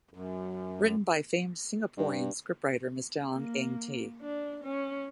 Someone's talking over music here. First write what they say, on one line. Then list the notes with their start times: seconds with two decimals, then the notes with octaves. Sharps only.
Written by famed Singaporean scriptwriter Mr. Ang Eng Tee.
0.14 F#2
1.97 G2
3.35 A#3
4.21 D4
4.64 C#4